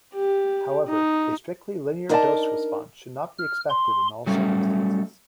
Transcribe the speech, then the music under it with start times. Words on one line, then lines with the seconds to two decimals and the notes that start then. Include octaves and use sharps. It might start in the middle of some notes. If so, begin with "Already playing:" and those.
However, a strictly linear dose response should not be expected in all circumstances.
0.14 G4
0.89 D#4
2.09 D4 D#4 A#4 D5 D#5 A5
3.39 F6
3.70 C6
4.26 F#3 G3 A3 C#4